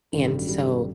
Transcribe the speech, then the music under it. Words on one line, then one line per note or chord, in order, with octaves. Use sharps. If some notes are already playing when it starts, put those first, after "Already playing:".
And so,
A1 G2 D#3 A3
G3
F#3
G3
A3
G3
F#3